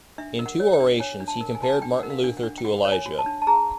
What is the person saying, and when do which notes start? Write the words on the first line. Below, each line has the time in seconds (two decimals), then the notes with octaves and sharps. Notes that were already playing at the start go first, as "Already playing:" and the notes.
In two orations he compared Martin Luther to Elijah.
0.18 D4 E5
0.39 A#4
0.46 F#5
0.60 C#5
0.73 G5
0.80 D4
1.00 C#5 G#5
1.20 D4
1.28 A5
1.41 A#4
1.55 G#5
1.62 F#4 A5
1.70 G#5
1.82 D4 G5
1.99 A#4 F#5
2.10 F5
2.24 D4
2.37 F#5
2.43 D4
2.58 G5
2.65 F#4 F#5
2.85 C#5
2.92 G#5
3.06 F#4
3.19 A5
3.26 D4
3.42 A5
3.47 G#4 A#5